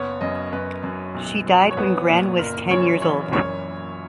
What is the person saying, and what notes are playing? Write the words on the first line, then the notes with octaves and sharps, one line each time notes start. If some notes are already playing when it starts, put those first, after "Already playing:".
She died when Gran was ten years old.
Already playing: F#1 B3 C#5
F#2 D#5
F#2 B4
F#2
B1
F#3
C#5
B3 B4
A#2
F#1 A#4
F#2 C#5
E3 C#5
F#2 C#5